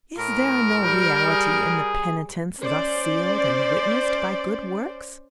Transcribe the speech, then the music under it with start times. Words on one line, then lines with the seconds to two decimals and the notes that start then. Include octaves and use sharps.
Is there no reality in the penitence thus sealed and witnessed by good works?
0.18 A2 A#4
0.82 G3
1.24 G#4
2.60 C#4 C5 D5